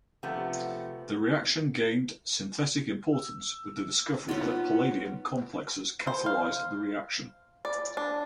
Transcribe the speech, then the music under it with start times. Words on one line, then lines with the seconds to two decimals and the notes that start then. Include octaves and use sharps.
The reaction gained synthetic importance with the discovery that palladium complexes catalyze the reaction.
0.23 C3 F3 A3 B3
3.12 E6
4.29 B3 C#4 D#4 F4
6.07 C5
6.26 F5
7.65 D5
7.97 D4